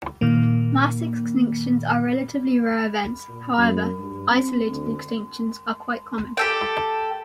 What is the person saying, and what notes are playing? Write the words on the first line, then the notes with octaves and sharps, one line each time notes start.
Mass extinctions are relatively rare events; however, isolated extinctions are quite common.
A#2 D#3 A#3
A#2
F#2
G2
C4
D2
G4 A4 G5